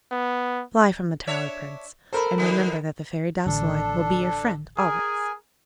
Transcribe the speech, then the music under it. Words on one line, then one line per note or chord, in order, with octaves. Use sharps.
Fly from the tower, Prince, and remember that the Fairy Douceline will be your friend always.'
B3
D4 C#5 E5
A4 A#4 C5 B5
D3 D#3 B3
A1 D3 D4 A4
G#4 A#4 G#5